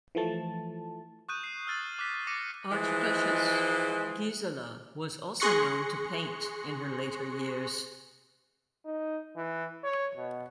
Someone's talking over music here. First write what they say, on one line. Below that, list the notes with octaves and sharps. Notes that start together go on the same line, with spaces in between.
Archduchess Gisela was also known to paint in her later years.
E3 F3 A3 A5
C#6 D#6 F#6 G6 D#7
C7
E6 F6 A6 D#7
D6 F#6 B6
D6 A6 A#6 C#7 D#7
E3 F3 G#3
G#4 C6 C#6 F#6 A#6 C#7
D#4
E3
C#5
B2